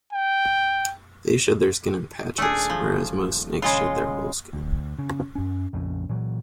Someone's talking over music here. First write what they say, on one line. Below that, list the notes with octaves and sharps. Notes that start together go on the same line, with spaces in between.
They shed their skin in patches, whereas most snakes shed their whole skin.
G5
D#1 A3 D4 G#4
F3
C#3 G#3 F4
D2
C#3
F#2 C#4
A#1 F2 C#3
A#2 E3 F#3